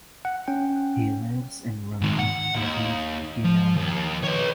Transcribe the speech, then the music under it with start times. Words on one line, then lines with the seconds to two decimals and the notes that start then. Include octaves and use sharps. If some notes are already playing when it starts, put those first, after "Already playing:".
He lives in Ramat Aviv Gimmel.
0.25 F#5
0.48 C#4 G5
2.02 G#2 D#3
2.19 F#5
2.55 D#2
3.45 F3
3.77 D#2
4.23 B4 C#5